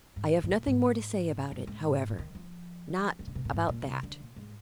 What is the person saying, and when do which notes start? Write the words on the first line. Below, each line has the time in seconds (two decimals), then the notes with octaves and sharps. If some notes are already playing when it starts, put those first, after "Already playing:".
I have nothing more to say about it, however;--not about that.
0.16 G#2
0.43 G#2
0.50 A#2
0.67 G#2
1.51 G2
1.67 G#2
2.19 D#3
2.35 F3
3.19 D#3
3.27 D3
3.35 C3
3.45 A#2
3.53 G#2
3.69 A#2
3.86 C3
4.03 D3
4.20 A#2
4.36 G#2